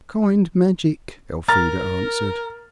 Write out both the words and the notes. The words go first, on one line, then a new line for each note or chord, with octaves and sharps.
"Kind magic," Elfrida answered.
A#4 A#5 F6 A6